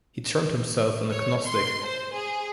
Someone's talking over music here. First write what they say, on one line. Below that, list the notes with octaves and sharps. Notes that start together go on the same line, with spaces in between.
He termed himself an agnostic.
C#5
C6
C5
G#4